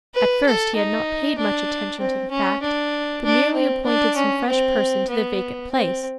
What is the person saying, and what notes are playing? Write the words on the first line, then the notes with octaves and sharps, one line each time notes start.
At first he had not paid much attention to the fact, but merely appointed some fresh person to the vacant place.
B4
A4
D#4
D4
C4
C#4
D4
D4
C4
D4
C#4
C4
B3
C4